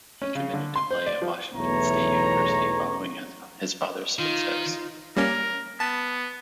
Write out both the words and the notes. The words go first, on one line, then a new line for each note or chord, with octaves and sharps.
He committed to play at Washington State University, following his father's footsteps.
C#4
C#3
D3
C6
C5
D5
F3
B1 E2 E3 A3 C#5 A#5
D#3 D#4 F4
G3 A#3 C#4 A#4
B3 A5